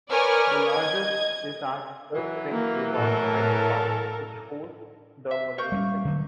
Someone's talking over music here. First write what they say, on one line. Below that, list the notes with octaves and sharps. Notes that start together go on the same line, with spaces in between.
The largest is at The Springs Resort and Spa which hosts the mother spring.
A#4 B4 C#5 D5 G#5 F6
D#5 G#6
E3 F#3
A#3
A2 A4 A#4
E5
A#3 C#6 G6
G3 C4 C#4
D3 F#3